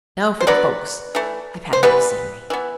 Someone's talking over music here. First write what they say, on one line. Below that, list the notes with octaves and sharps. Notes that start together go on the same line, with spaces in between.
"Now for the folks--I've had enough scenery."
C5
D3 F#3 B3 B4 D5
E3 A3
C5
E3 G3 B3 G4 B4
E3 B3